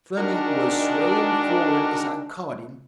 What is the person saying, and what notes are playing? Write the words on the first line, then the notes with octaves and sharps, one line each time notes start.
Fleming was swaying forward as I caught him.
D#3 G#3 D4 F#4 A#4